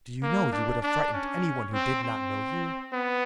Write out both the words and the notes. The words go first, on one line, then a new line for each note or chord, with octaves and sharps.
Do you know, you would have frightened any one who did not know you?
A#3
D4
D4
C#4
C4
C4
B3